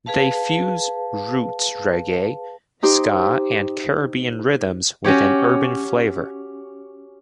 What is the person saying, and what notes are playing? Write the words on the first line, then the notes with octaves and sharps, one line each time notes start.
They fuse roots reggae, ska and Caribbean rhythms with an urban flavour.
G#4 B4 F5 A5
D#4 G4 C5
C#4 F#4 G4 C#5